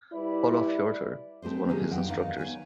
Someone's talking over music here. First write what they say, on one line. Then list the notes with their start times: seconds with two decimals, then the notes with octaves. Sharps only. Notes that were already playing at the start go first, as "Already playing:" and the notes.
Olof Hiorter was one of his instructors.
0.13 G3 E4 B4 D5
1.42 A3 C4 G#4 C5
1.69 D#3 F#3 A#3 C#4 G4 G#4
1.91 F#2 F4 F#5 G5
2.08 E2 D#3 D#4 D5 F5 F#5
2.38 B3 C#5 F#5 G#5